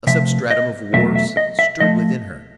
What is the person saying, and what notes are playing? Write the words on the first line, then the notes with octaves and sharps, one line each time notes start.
A substratum of war stirred within her.
C3 F3 A3 E5
D#5
E2 B2 F#3 A3 E5
E5
D#5
E5
F3 A3 D#5